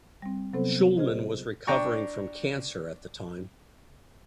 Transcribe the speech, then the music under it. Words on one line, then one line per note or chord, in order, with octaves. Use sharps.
Shulman was recovering from cancer at the time.
G3 C4
C3 F#3 B3 C4 A4 C5
F4 G#4 C5 D#5
D4 G5 A#5 C#6